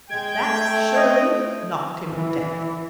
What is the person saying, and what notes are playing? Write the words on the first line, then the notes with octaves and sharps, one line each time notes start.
At that Shirley knocked him down.
G#3 G5 G#6
A3
D#5
E3